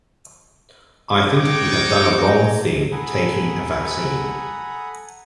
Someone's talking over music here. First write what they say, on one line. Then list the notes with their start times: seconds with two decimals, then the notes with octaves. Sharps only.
I think you have done a wrong thing taking a vaccine.
1.29 D#4 F#4 C#5 G5 D6
2.92 A4 F#5 G#5 A#5 B5 D#6